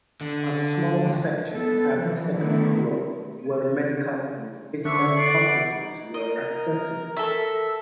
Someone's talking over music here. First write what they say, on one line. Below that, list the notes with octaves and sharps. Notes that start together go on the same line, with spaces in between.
A small section had a second floor where medical and business offices were accessible.
D3
C#2
B3 A4
E3 F3
D3 D#3 A3 B3 E4
D3 C5 E5 C#6
D5 F#5 C7 D7
D#4
A#4 D#5
A4 E5